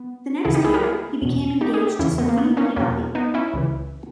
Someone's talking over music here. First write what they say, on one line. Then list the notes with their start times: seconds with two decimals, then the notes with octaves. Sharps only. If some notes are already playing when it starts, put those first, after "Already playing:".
The next year, he became engaged to Sophia Peabody.
Already playing: B3
0.45 C#2 C#3 E3 E4 G#4
0.54 D#4 G4
0.64 E4 G#4
0.74 G4 A#4
0.83 E4 G#4
1.22 E2 B2
1.61 D#4 G4
1.74 G#4
1.87 G4
1.99 E2 C#3 E3 C#4 E4
2.18 B3
2.29 A#3
2.38 B3
2.57 A#3 C#4
2.76 E2 B2 A#3 C#4
3.15 B3 D#4
3.34 C#4 E4
3.54 C#2 C#3 E3